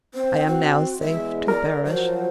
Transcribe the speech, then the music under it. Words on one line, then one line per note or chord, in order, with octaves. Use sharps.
I am now safe to perish.
C4 C5
F#4
E2 G#3 E5
A#4 D5
F3 F#3 C5